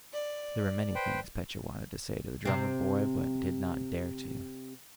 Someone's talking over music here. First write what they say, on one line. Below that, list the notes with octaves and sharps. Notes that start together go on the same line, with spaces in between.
There were many things Petya wanted to say to the drummer boy, but did not dare to.
D5
B4 C5 G5
C3 C4